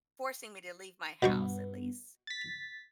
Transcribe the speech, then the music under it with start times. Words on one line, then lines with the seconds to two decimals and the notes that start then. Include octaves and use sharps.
forcing me to leave my house, at least,
1.23 G2 B2 B3 C5 C#6
2.27 A6 B6